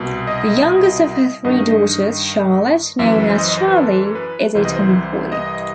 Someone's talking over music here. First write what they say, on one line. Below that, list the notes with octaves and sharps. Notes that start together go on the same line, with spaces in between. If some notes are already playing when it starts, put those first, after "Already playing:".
The youngest of her three daughters, Charlotte, known as "Charlie", is a tomboy.
Already playing: C2 B2
D#5
G2 D#3 D#5
F#2 E3 E5
B4
C5
D#5
D#5
C5
B4
A4
B4
C2 C3 E3 C5
D#5
C5
D#5